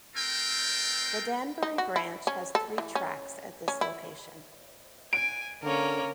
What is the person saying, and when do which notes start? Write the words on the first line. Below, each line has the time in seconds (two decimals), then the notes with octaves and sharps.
The Danbury Branch has three tracks at this location.
0.16 A3 C4 F4 A#4 G5
1.63 D#4
1.78 F#4
1.96 E4
2.27 C#4
2.55 A4
2.78 E3
2.95 C#4
3.68 C#4
3.81 E4
5.13 G#5 D7
5.63 D3 A#3 C#4 A#4